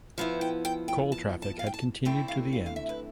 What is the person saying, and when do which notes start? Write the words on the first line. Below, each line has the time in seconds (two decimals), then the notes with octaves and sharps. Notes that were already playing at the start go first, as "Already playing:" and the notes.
Coal traffic had continued to the end.
0.18 F3 B3 E4
0.41 G5
0.65 G5
0.88 G5
1.12 A5
1.42 A5
1.59 F5
1.67 G5
1.74 A5
2.05 D3 A3 C4 E4 G5
2.28 F5
2.53 F5
2.66 F5
2.76 E5
2.89 B4